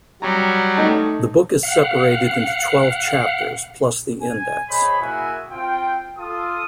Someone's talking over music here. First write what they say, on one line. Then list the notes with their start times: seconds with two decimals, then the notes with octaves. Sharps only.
The book is separated into twelve chapters, plus the index.
0.22 F#3 G3 A#5
0.77 A3 D#4 A5
1.63 F5 F#5
4.21 G#5
4.69 G#4 C5 C#5 D#5 B5
5.00 A#3 E4 F#4 G#4 E5 G#5
5.50 C4 F4 G5
6.18 F4 A4 D#6